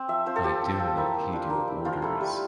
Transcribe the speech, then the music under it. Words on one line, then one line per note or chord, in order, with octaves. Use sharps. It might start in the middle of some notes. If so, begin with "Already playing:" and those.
I dare not heed your orders.
Already playing: C4
F3 E5
C4 F4 C5
A4
F3 G4
C4 F4
F3
A#3 E4
A#3
D4 F4
A#3
E4
F3 F4
A3 E4
G3